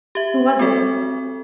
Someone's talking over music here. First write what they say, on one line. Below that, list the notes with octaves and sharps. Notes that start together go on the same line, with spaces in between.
"Who was it?"
G4 E5
C4 F#4 A4